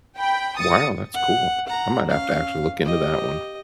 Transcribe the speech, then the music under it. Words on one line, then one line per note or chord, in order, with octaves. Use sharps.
Wow, that's cool. I might have to actually look into that one.
G5 B5
D#6 A6 C#7
F#5
F#5 A#5
C#4 F5
G4 D#5